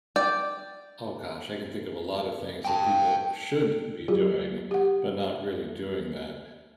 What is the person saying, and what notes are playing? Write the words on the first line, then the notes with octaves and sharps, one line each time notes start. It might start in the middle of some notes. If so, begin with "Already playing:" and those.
Oh, gosh, I can think of a lot of things that people should be doing, but not really doing that.
D5 G5
G5 A5
F#3 F4 G4 G#4
G4 F#5